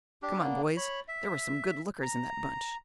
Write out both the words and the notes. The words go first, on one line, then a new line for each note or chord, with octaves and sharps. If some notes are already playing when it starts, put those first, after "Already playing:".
"Come on, boys--there were some good lookers in that bunch."
D4 G4
A#3 B3 D4
C#5 B5
E5
A#5